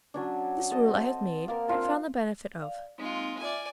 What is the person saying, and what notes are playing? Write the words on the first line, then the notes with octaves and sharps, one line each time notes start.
This rule I have made, and found the benefit of.
F#3 C#4 D4
A4 D#5 A5
C4
A#3 A#4 D5 F5
C4 D4 F4 A5
D5 F5
G#3 A#3 C4 D#4 F4
F4 D5 E5 G#5